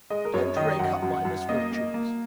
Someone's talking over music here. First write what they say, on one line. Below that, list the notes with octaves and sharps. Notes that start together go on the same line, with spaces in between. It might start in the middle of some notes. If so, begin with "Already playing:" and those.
"Don't rake up my misfortunes."
G#3 D#5
A#4
F#2 C#5
D#3 D#5
F#2 F#5
F#2
F#5
F#2
A#3 D#5
A#3
A#3